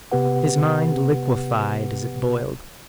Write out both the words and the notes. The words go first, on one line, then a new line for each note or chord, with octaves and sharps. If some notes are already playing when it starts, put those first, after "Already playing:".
His mind liquefied as it boiled.
C3 B3 G4 B4 F#5